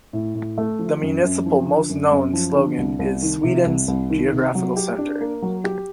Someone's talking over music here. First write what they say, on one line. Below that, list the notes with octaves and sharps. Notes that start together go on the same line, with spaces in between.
The municipal most known slogan is "Sweden's geographical center".
A2
A2
A3
F3
F#2
F#2
F3
D3
F#2
F#2
F3
D3
C2
C2
D#3
C3
C2
C2
D#3
C3
F#3
G4
D4
A#3
F#3
G4